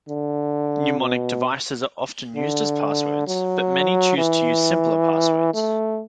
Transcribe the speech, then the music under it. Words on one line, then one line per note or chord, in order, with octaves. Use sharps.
Mnemonics devices are often used as passwords but many choose to use simpler passwords.
D3
B2
D3
F#3
E3
A3